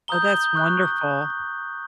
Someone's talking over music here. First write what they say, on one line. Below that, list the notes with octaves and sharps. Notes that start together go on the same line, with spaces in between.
Oh, that's wonderful.
A#5 D#6 G6 G7
C#6 F#6